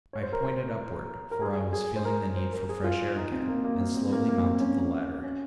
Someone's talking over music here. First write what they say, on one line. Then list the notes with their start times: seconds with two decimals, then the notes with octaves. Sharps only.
I pointed upward, for I was feeling the need for fresh air again, and slowly mounted the ladder.
0.13 C#5
0.23 C5
0.33 A#4
0.42 C5
1.31 A#4
1.42 G#4
1.73 G#4
1.96 C5
2.05 A#4
2.36 C5
2.53 A#4
2.69 G#4
2.84 F4
3.16 D#4
3.32 C4
3.48 A#3
3.64 A#3
3.81 C4
3.97 C4
4.12 A#3
4.28 A#3
4.44 C4
4.60 C#4
5.23 C#4